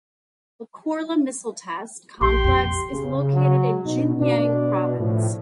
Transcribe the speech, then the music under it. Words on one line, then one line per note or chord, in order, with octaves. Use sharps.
The Korla Missile Test Complex is located in Xinjiang province.
A#1 G4 G5 C6
F2 A#2
C#3
F#3
B2 D#4
B2 D4
A2 F3